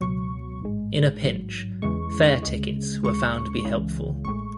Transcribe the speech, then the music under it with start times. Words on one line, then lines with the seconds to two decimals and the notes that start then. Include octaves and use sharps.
In a pinch, "fare tickets" were found to be helpful.
0.01 C#2 B2 F#3 C#6
0.61 A1 G#2 G#3
1.22 A1 G#2 F#3
1.82 E2 C#3 E3 G#3 C#6
2.43 D2 C#3 G#3
3.03 D2 C#3 G#3 C#6
3.65 C#2 C#3 E3 G#3
4.25 A1 A2 G#3 C#6